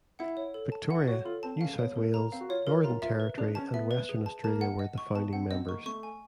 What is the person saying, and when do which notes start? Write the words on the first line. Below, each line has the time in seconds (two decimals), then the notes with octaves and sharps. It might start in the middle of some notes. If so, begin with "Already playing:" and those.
Victoria, New South Wales, Northern Territory and Western Australia were the founding members.
0.19 E4 F#5
0.37 C#5
0.54 A4
0.72 A5
0.90 E4 F#5
1.07 F#4 C#5
1.25 F4 A4
1.43 C4 A5
1.61 C#4 F5
1.78 B3 C#5
1.96 A3 A#4
2.14 A#3 A#5
2.32 C4 F5
2.41 F#4
2.49 F4 C#5
2.67 F4 A#4
2.84 F4 A#5
3.02 F4 E5
3.20 B4
3.38 D4 G#4
3.55 C#4 A5
3.73 B3 E5
3.91 B4
4.09 G#4
4.26 A5
4.44 A#3 A5
4.61 F#5
4.79 D#5
4.98 C#6
5.15 B3 A5
5.33 C4 F#5
5.50 C4 D#5
5.68 A#3 C#6
5.86 A3 C#6
6.03 G#5